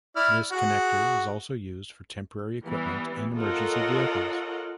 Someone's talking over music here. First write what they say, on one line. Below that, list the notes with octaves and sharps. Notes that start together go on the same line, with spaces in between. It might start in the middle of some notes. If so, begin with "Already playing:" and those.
This connector is also used for temporary equipment in emergency vehicles.
E4 D5 F6
F#4 G#4 F#5
E3 G3 B3
F4 A4 A#4 C#5 D#5 F#5